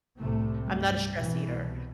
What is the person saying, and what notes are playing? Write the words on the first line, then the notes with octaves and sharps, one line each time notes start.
I'm not a stress eater.
C2 A2 C3 A3
G2 G3
C2 B2 E3